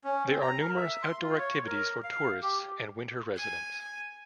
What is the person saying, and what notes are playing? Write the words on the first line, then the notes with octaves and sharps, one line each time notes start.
There are numerous outdoor activities for tourists and winter residents.
C#4
C4
A#5
A#4
E5
C6
F4
C#5
A#4
F5
G4
G#5